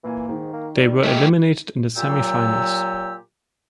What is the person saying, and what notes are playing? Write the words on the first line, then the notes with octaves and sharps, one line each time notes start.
They were eliminated in the semifinals.
A#2 E3 A#3 G#5
G#2 D#3
A#3
G3
G#3 A3 G4 F6 G#6 D#7
A#2 F#3 G4 E6